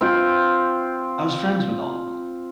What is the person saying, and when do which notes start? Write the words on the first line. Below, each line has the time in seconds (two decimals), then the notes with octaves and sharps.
I was friends with all of 'em,
0.01 C4 F4 G5